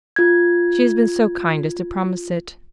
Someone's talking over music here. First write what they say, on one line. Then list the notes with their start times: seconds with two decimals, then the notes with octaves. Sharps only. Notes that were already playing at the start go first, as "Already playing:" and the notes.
She has been so kind as to promise it.
0.16 F4 G#6